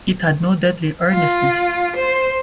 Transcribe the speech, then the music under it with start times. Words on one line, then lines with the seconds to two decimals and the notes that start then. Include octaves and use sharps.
It had no deadly earnestness.
1.11 F4
1.96 C5